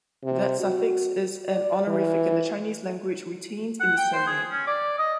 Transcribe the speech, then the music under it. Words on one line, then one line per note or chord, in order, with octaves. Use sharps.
That suffix is an honorific in the Chinese language retained in the surname.
C3
F#4
D5
E3
F#5
G5
C5
G#4
C#4
D5
D#5